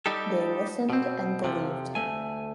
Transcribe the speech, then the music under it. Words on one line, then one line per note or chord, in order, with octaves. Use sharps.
They listened and believed him.
G3 D#4 G4 A4
B2 C4
F2 C3 D#3 F3
D2 A3 G#5